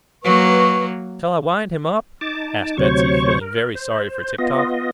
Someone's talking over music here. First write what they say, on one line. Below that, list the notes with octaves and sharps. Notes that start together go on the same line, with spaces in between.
"Shall I wind him up?" asked Betsy, feeling very sorry for Tik-Tok.
F#3 A#3 B4 C#6
D#4 A5 D6
D2 C3 F#3 C5 C#5 C#6
A#4
C5
B3 F4 D#5